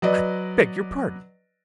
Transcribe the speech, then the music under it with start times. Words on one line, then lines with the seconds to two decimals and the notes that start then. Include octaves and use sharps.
I beg your pardon.
0.02 F#3 B4 D5 D#5